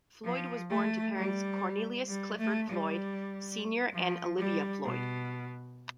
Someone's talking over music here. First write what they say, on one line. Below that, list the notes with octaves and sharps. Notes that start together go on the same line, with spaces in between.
Floyd was born to parents Cornelius Clifford Floyd, Senior and Olivia Floyd.
F3
A3
G3
G3
A3
G3
F3
G3
B2